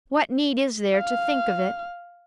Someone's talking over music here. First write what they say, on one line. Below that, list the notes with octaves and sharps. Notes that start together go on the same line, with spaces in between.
What need is there to think of it?
F5